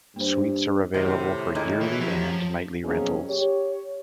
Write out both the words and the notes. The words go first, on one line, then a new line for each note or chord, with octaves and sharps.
Suites are available for yearly and nightly rentals.
G2 A#3 C5
A2 C3 D#3
A#2 D#3 G#3
E3
F3 F#3 G4
F2 B2 F#3 A#3 C#4 G#4
G4 C#5